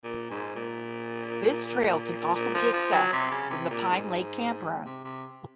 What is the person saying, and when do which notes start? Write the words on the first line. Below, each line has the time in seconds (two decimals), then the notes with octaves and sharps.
This trail can also be accessed from the Pine Lake Campground.
0.04 A#2
0.30 G#2
0.55 A#2
2.35 A#2
2.54 F3
2.73 F3
2.93 F#3
3.13 C3
3.31 C#3
3.50 C3
3.70 A#2
3.89 G#2
4.86 C3
5.04 C3